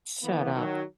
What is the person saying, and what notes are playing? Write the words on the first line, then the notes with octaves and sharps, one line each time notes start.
Shut up.
E3 A#3 B3
D#3 F#3